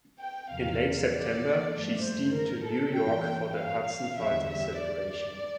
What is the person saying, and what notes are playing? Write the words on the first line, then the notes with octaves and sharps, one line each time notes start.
In late September, she steamed to New York for the Hudson-Fulton Celebration.
G5
E2 C3 F3 F5
D5
G2 F3 A3 D5
C5
A#4
A4
G2 E3 A#3 G5
F5
E2 D3 G3 E5
E5
D5